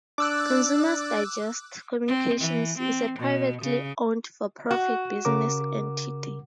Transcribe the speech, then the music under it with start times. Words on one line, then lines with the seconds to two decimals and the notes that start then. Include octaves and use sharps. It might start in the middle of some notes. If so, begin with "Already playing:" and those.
Consumers Digest Communications is a privately owned, for-profit business entity.
0.18 D4 D5 D6 E6 F#6
2.07 C4
2.41 E3
2.78 C4
3.19 B2
3.62 C#3
4.71 F#4 F#5
5.25 C#3 A#4 D6